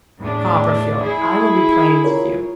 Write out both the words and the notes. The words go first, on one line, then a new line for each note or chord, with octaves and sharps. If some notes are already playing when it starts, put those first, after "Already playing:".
Copperfield, I will be plain with you.
E2 A2 D4
E4 G#4
F4 A#4 C#5